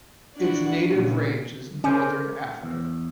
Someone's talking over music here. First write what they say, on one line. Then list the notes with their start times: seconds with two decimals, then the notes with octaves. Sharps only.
Its native range is northern Africa.
0.36 D4 E4 F#4
0.91 A#2 C#3 A#3
1.84 C#4 A#4 C5 D5 G#5
2.63 E2